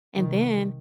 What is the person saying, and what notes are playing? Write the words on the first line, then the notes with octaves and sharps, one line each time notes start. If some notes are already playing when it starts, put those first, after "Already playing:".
And then,
C2 D#3